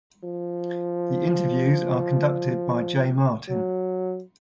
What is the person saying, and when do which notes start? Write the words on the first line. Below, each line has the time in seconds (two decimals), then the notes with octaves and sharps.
The interviews are conducted by Jay Martin.
0.23 F3
3.48 F#3